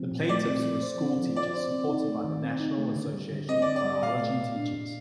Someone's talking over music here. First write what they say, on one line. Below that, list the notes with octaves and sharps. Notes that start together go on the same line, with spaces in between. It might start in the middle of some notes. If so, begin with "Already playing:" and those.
The plaintiffs were school teachers supported by the National Association of Biology Teachers.
Already playing: F3 G3 C4
A#2
A3 D5
C4
F3
C5
C4
F3
F4 D5
C5
C4
D#4
A3
D#3
C4
D#4
A3
D3
G3
D3
C4 D#5
D5
D3
D5
G3
A#2 F5
A3
A#2
D4
A#2